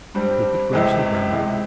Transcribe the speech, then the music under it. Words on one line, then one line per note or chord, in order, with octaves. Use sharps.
Look at Grossengrannel.
G2 G3 C4
C#2 C3 E3 G#3
C#2 C3 E3 G#3 E4